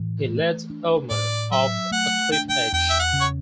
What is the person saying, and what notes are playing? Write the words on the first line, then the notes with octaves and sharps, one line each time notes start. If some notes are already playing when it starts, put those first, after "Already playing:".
He leads Elmer off a cliff edge.
Already playing: A2 E3
A3
D4
A2 D5
F#3 E5
A3 F#5
D4 G5
G5
E2 G5
E5
F#5
C#3
C#5